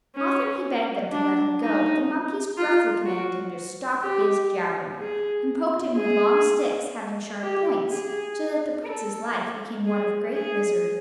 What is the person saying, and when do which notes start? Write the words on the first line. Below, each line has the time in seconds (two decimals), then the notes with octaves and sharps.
Often he begged them to let him go, but the monkeys gruffly commanded him to "stop his jabbering," and poked him with long sticks having sharp points; so that the Prince's life became one of great misery.
0.15 C#4
1.12 D4
1.60 D#4
2.58 F4
3.05 F#4
4.02 G4
5.00 G#4
5.96 G#4
7.43 G4
7.91 G#4
8.88 A4
9.86 G#4
10.34 G#4